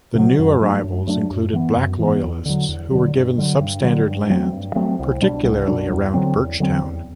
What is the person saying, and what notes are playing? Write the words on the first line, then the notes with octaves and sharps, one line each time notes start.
The new arrivals included Black Loyalists who were given substandard land, particularly around Birchtown.
C3 F#3
F#2
F#3 A3 D4
F#2
F#3 A3 D4
F#2
E3 B3
F#2
E3 B3
E2
D3 F#3
E2
D3 F#3
G2
D3 F#3
G2
D3 F#3
G2
F#3 A3 C4
G2
F#3 A3 C4
C2
B2 G3 D4
C2
B2 G3 D4
E2
D3 F#3 C4
E2
D3 F#3 C4
E2